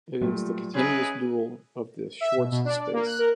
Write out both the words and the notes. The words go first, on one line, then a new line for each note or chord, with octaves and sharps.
It is the continuous dual of the Schwartz space.
A#2 F#3 G3 A3
C#4 D#4 E4 G#4 B4
E5
B2
B2
D4
D5
A#3
F#6
A#4